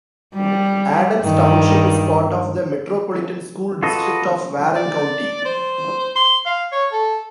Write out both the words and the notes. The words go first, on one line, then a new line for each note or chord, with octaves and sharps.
Adams Township is part of the Metropolitan School District of Warren County.
G3
G2 D#3
F4 F#4 A4 B4 D#5
D5
C5
C6
F5
C#5
A4